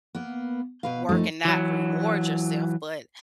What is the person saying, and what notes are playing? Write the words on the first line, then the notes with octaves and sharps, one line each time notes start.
work and not reward yourself, but
A#3 B3
B2 B4 F5
F#2 F3 A3 D#4
E3 F#3